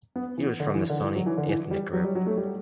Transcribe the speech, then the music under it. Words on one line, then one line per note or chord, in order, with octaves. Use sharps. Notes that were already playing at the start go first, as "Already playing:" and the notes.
He was from the Soninke ethnic group.
B3
E3
D3
E3
D3
E3
F#3
E3
D3
E3
G3
F#3
G3
F#3
A3
G3